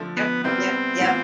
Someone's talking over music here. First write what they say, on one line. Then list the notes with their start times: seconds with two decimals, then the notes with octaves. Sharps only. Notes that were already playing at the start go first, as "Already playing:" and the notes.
Yep, yep, yep.
Already playing: D3 F3 A3
0.17 B3
0.44 C3 G3 B3 C4 E4 B4
0.99 A2 E3 B3 F4